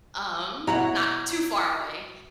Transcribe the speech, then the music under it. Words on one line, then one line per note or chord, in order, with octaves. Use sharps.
Um, not too far away.
B2 E4 F#4 C#5 F#5 A#5